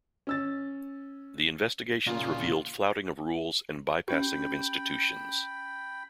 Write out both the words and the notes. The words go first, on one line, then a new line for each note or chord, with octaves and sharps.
The investigations revealed flouting of rules and bypassing of institutions.
C#4 E6 A6
A#2 C#3 F4
C#4 G4 G5 B5